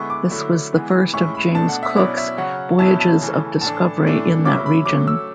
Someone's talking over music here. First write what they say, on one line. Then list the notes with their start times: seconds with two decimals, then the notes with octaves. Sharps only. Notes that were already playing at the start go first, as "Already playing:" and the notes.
This was the first of James Cook's voyages of discovery in that region.
Already playing: D3 G#3 B3 E4 C#6
0.10 D6
0.31 D3 F#3 A3 E4
0.73 E3 G#3 B3
1.13 A2 G#3 C#4 E4 C#6
1.35 B5
1.55 B2 A3 D4 A5
1.69 F#5
1.83 E5
1.96 B2 F#3 C#4 E4 D5
2.18 E5
2.37 C#3 F#3 C#4 F#5
2.79 B2 F#3 C#4 E4 A5
3.00 A5
3.21 C#3 E3 A3
3.61 A2 E3 A3 D4 A5
4.03 A2 E3 A3 D4
4.44 C#3 F#3 C#4 E4 D6
4.66 B5
4.86 F#3 A3 C#4 D6
5.07 E6